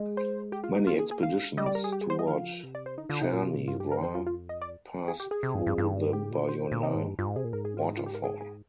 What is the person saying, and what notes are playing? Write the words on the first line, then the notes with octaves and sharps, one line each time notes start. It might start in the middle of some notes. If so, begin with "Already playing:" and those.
Many expeditions toward Cherni Vrah pass through the Boyana Waterfall.
Already playing: G#3
C5
G4
F4
D#4
A#3 F4
G#4
G#4
G#3 F5
G3 D#5
D5
A#4
G#4
G4
G#4
C5
D#5
F3 F5
C3
D5
C5
D3 D#4
D3 F4
C3 D#4
A#2 F4
C3
A#2
G2 F4
G4
A#4
F2 C5
F4
F4
D#5
D5
G#4
G4
G#4
C3
G2
G2
G2
G#2 G4
A#2
C5
A#2
C3 D#4
G#2
G2
G2 F4
G#2
C3 G#4
A#2
G#2 A#4
G#4
F4
D#4
F4
G4
A#4
G#4
G#4